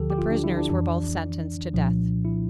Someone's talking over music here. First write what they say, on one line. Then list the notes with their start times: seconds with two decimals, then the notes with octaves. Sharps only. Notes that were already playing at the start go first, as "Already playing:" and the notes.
The prisoners were both sentenced to death.
Already playing: D2 D3 F3 G4 A4
0.10 G4
0.18 F4
0.31 D4
0.44 E4
0.57 D4
0.70 F2 E3 D4
1.73 C2 A#2 F3
2.25 E4